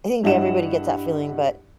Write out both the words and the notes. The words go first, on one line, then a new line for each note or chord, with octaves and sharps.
I think everybody gets that feeling, but
G2 G3 E4 D#5 F#5 E7